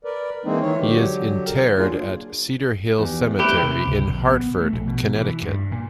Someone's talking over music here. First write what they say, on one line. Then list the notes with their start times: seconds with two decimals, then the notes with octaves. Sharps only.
He is interred at Cedar Hill Cemetery in Hartford, Connecticut.
0.05 A#4 B4 D5
0.45 E3 G#3 A#3 C4 D#4
0.61 D#3 E3 C#5
0.81 D3 F#3 G4
1.45 A#4
1.78 F#3 A#3 D4 F4 G#4
2.98 E2 G4
3.39 G3 A3 C4 E4 G4 B4
3.63 C3
3.87 C#2
4.10 A#1
4.27 B3
4.61 A3
4.73 A#1
4.87 B2
5.15 E3
5.43 G2
5.72 A#2